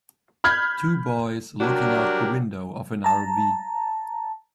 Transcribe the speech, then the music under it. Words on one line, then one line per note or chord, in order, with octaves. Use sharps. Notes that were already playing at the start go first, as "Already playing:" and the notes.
Two boys looking out the window of an RV.
B5 F6 G6 G#6
F#3 G3 D4 F#4 G4 A#4
A5 A#5